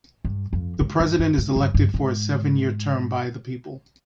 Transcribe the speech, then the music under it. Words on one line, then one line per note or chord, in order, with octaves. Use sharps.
The president is elected for a seven-year term by the people.
G2
F2
G#2
G2
G2
G#2
G2
G2
G#2